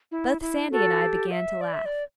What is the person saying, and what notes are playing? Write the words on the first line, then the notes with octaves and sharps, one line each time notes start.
Both Sandy and I began to laugh.
E4
E4
F#4 A4
G4
E5
D5
E5
D5